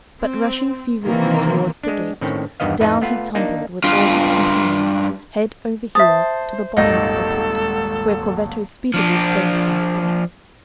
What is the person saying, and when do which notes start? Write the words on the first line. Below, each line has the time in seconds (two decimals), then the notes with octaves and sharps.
But rushing furiously towards the gate, down he tumbled with all his companions, head over heels to the bottom of the pit, where Corvetto speedily stoned them to death.
0.21 C4
1.05 C3 D#3 E3 A#3 C4
1.83 G#3 D4
2.21 A2 D#3 C4 C#4
2.60 E2 G2 D#3 B3 D#5 F5
2.80 F2 A2 D#4 B4 D#5 A5
3.01 A3 B3 F4 B4
3.35 A#3 D4 D#4
3.84 G2 F4
5.95 C5 E5 A5 D#6
6.77 D#1 G#1 D#4 A4
8.94 F3 D4